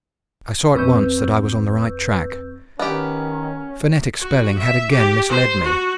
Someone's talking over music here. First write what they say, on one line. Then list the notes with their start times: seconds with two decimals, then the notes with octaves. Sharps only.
I saw at once that I was on the right track; phonetic spelling had again misled me.
0.75 F2 C4 B4 C#6 E6 G6
2.79 D#3 B3 C#4 G4
4.21 F#4
4.58 E5
4.91 G4
5.29 C5
5.64 F#4